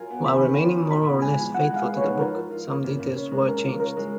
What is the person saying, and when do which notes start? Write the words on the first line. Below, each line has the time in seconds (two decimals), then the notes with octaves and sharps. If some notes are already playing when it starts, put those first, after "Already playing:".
While remaining more or less faithful to the book, some details were changed.
Already playing: F#3 F4 A#4 G#5
0.11 B3
0.26 D#3 B5
0.43 D#3
0.58 C#4
0.74 F#3
0.91 A#2 B5
1.07 B3
1.22 G#3 G#5
1.39 F3
1.55 G#3 F#5
1.70 G#3
1.76 F5
1.86 G#4 B4
1.97 C#5
2.03 D#4
2.19 F3 A#4
2.35 F3
2.51 F4
2.67 A#3
2.84 C#3
3.00 C#3
3.16 C#4
3.31 G#3
3.48 C#3 A#4
3.63 F4
3.80 C#4 A#4
3.97 G#3